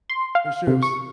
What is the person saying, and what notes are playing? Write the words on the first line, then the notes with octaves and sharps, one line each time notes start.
For sure, it was
C6
F5
C3
C#6